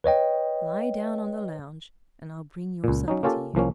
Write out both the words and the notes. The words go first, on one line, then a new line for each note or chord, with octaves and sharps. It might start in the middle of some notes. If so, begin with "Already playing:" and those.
"Lie down on the lounge and I'll bring your supper to you."
B4 C#5 D#5 G5
C#2 A#2
F#3 C#4 D#4
A#3 C#4 F4 G4 A4
C2 F3 A#3 C#4